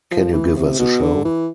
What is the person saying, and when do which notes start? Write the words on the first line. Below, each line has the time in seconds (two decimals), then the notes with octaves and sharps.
Can you give us a show?
0.11 F3
0.33 E3
0.56 C3
0.79 B2
1.02 D3
1.25 E3